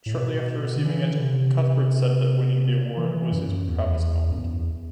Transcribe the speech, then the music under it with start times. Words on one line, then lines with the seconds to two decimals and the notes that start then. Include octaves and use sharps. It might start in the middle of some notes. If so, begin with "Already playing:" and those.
Shortly after receiving it, Cuthbert said that winning the award was his proudest moment.
0.06 A2
0.14 B2
0.76 D3
0.85 E3
1.11 D3
1.20 C3
2.97 E3
3.15 E3
3.33 F#2
3.50 F#2
3.68 E2
4.32 F#2
4.39 E2